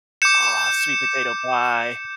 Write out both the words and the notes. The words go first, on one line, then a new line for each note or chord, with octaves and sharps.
Oh, sweet potato pie.
D6 G6 C#7 E7